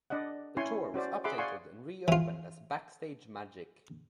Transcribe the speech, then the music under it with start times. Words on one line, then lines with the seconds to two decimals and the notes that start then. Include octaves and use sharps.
The tour was updated and re-opened as Backstage Magic.
0.10 D4 D5 D#5 F#5
0.57 C#4 E4 G#5 C6 C#6
0.94 C#4 F#4 C5 D5
1.24 G#4 E5 F#5 B5 C6 D6
1.38 D5 F5 F#5 G#5 C6 C#6
2.08 E3 F4